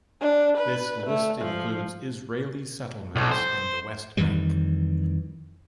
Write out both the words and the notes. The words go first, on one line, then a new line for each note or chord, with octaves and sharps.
This list includes Israeli settlements in the West Bank.
D4
B4
A3
F3
B1
C5
F2 D#3 E3 G3